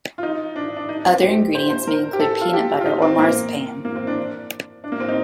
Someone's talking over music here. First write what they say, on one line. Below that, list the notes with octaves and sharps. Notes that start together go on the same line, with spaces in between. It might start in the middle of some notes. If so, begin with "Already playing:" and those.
Other ingredients may include peanut butter or marzipan.
F4
D#4
D4
D4
D#4
C4
G4
C5
C5
A#4
G4
A4
F4
G4
F4
D#4
C4
A#3
A#3
C4
D4
D4
A#3
C4
D#4